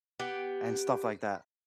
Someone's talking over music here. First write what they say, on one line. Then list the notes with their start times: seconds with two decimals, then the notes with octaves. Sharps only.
and stuff like that.
0.19 B3 G4